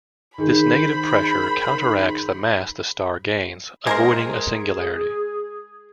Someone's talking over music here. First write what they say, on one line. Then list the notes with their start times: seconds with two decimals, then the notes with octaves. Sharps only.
This negative pressure counteracts the mass the star gains, avoiding a singularity.
0.38 D#3 G#4 C5 B5
3.87 G#3 G#4 A#4 C5